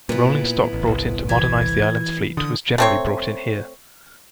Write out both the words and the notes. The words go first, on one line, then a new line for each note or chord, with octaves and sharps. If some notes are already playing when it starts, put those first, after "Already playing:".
Rolling stock brought in to modernise the island's fleet was generally brought in here.
A#2 B3 E4
A1
G1 C2
E3 G#6
D3 D#6
A3 C4 C#5